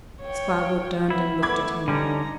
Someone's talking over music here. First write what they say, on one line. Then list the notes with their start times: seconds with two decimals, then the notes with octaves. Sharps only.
Spargo turned and looked at him.
0.22 C#5 G5
1.10 B3 E4
1.42 A3 B3 B5 D6 G#6
1.88 D3 G3 C#4 D#4 A#5